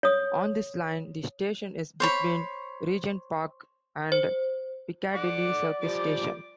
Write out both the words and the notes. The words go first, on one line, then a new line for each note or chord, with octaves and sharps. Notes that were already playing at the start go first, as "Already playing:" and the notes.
On this line, the station is between Regent's Park and Piccadilly Circus stations.
C#5 D#6
C5 C#5 B5
C5
D5 F#5 D6
F3 G3 D6